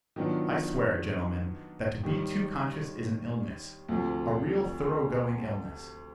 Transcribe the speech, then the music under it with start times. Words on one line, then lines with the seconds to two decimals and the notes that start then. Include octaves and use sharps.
I swear, gentlemen, that to be too conscious is an illness--a real thorough-going illness.
0.16 D#3 F#3 B3 D4 F4
2.02 D#2 D#3 G3
3.89 D2 C3 F3